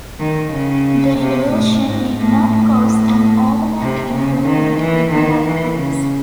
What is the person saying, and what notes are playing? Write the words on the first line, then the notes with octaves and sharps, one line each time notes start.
The revolution did not cause an overnight improvement in the libraries.
D#3
C#3
C3
A2
G#2
A2
A2
C3
C#3
D#3
E3
D#3
E3
C#3